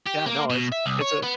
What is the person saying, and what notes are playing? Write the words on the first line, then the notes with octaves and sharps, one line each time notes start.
yeah, no, it's it's a
G4
A#3
B2
E5
C2
C#5
B3